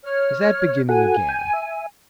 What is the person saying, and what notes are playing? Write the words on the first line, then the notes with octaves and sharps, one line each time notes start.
Is that beginning again?'
C#5 F6
F#4 A4 F#5 G#5
G5
E5